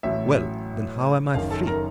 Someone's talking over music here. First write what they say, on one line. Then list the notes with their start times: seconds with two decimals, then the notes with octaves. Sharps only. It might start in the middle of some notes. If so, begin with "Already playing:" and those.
"Well, then, how am I free?"
0.03 A1 A2 F#3 E5
1.34 F#1 F#2 D#3 F5
1.51 A4 A5
1.67 A#4 A#5